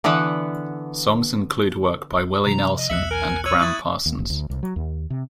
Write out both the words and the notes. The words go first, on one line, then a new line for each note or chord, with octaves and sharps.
Songs include work by Willie Nelson and Gram Parsons.
D3 E3 B3 B4 F#5
C3 E3 F3 A#5
D#5
B1 E2 E5 F#6 C#7 F#7
A#4 G#5
C#5 E6 G#6 D#7 F#7
E4 C#6 D#6 F#6 A6
D#2
F#1
D2
C2
F#3
D#2
C3